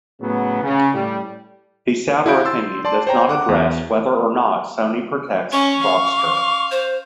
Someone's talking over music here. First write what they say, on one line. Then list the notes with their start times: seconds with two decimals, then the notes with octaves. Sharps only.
The Souter opinion does not address whether or not "Sony" protects Grokster.
0.21 A2 C#3 F#3 B3
0.63 C#3
0.94 A2 G3
2.26 E4 F#4 F5 G6 D7
2.45 C6 E6 A6
2.85 D5 A5 C6
3.07 C5 C#5 G5 A#5
3.29 F#5 D6
3.49 E2
5.52 C#4 C#6
5.84 F5
6.71 C5